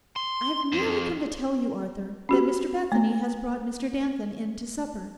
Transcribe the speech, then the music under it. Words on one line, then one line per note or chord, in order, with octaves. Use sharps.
'I have merely come to tell you, Arthur, that Mr Bethany has brought Mr Danton in to supper.
C6
F2
C#4 F#4 G4
A3 B3